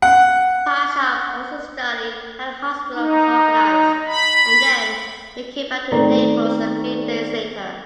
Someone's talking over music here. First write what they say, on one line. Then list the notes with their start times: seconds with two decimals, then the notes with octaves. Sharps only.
Piazza also studied how the hospital was organized, and then, he came back to Naples a few days later.
0.02 F#5
2.94 D#4
4.07 B5
5.92 D#3 A3 B3 C4 D5 A#5